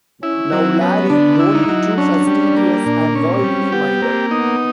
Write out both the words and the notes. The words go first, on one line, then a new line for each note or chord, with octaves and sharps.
Now, Larry, don't be too fastidious and worldly-minded.
C#4 E4
F#3 C4
B3 C#4
D3 D4
E4
D#4
F#3
C#4 D4
G3
A#3
A#2 D4
C#4
C4
G3
B3 G4
A#3 C4
B3 D#4